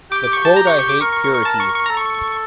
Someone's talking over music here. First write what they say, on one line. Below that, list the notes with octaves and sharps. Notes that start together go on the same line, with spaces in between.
The quote I hate purity.
G4 D6
D6
C#6
A5
A#5
C#6
C#6
D6
A#4 C#6
C#6
C#6
C#6
A5
C#6
C#6
A4 A#5
C#6